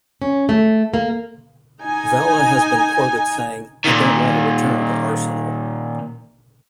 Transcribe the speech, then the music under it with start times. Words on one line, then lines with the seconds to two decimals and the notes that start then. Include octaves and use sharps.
Vela has been quoted saying, I don't want to return to Arsenal.
0.22 C#4
0.49 A3
0.94 A#3
1.82 D#4 G#5
3.85 A#2 D#3